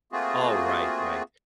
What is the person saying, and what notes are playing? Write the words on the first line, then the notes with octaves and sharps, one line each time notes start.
Alright, right.
A3 A#3 C4 F4 F#4 G#4